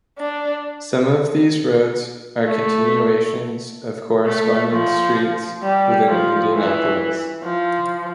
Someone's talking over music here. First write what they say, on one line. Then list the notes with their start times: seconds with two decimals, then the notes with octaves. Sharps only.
Some of these roads are continuations of corresponding streets within Indianapolis.
0.18 D4
2.45 A3
4.26 A3
4.72 F3
5.62 G3
6.07 F3
6.54 E3
7.43 F3